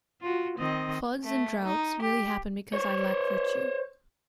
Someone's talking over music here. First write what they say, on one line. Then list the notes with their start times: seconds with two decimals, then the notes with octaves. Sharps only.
Floods and droughts really happen because I lack virtue.
0.22 F4 F#4
0.58 D#3 C4 D#5
1.24 A3
1.64 D#4
2.02 G4
2.74 C5 C#5